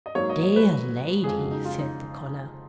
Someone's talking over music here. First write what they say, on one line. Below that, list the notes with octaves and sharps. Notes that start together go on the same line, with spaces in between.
"Dear lady!" said the collar.
D#5
G#2 F#3 A#3 C#5
D#5
C#5
B4
F2 C#3 G#3 G#4
F#4
D#4
F4
D#4